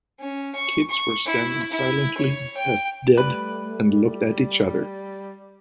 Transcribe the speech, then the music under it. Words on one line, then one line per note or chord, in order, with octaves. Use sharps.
Kids were standing silently as dead and looked at each other.
C#4
C#6
C#6
E4
E4
C#5
G5
G3 A3 B4